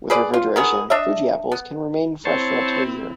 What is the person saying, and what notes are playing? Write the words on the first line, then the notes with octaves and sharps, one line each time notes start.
With refrigeration, Fuji apples can remain fresh for up to a year.
G#4 B4 D5
F4
D#3 B3 G#4
D4 D#5 E5
B3
C4 E4 C5 C#5 A5